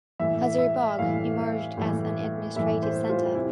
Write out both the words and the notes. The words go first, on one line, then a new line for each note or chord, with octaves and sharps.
Hazaribagh emerged as an administrative centre.
A2 E3 E5
E5
A2 E3 F5
A2 E3
A2 E3 E5
C5
F4
C3 E4